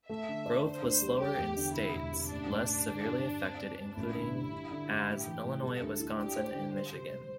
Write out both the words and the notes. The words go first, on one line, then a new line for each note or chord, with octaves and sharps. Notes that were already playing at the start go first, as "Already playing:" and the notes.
Growth was slower in states less severely affected, including as Illinois, Wisconsin, and Michigan.
A3 E5
D3
D4
D3 C5
D2
G3
G4 A4
E2
D3
C3 E4
E1
C3
A1 D4
A1
G2
D3
G2
G2
C4
C4
G2
A1 E4
D3
G2
G2
D3
G2
A2 G4
E3
A2
G3 A4
D2
E4
D4 G4
C5
D3
G3 C5
C3
G3